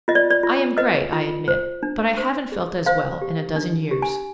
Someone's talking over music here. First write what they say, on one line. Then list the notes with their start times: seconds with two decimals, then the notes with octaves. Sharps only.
I am gray, I admit, but I haven't felt as well in a dozen years.
0.08 F4 D#5
0.15 D5
0.30 D5
0.43 F4
0.78 B4 D#5
1.13 F4
1.48 C5
1.83 D4
2.17 C5
2.52 G#4
2.86 C5 F5
3.22 G4
3.56 D4
3.91 G4
4.02 G#5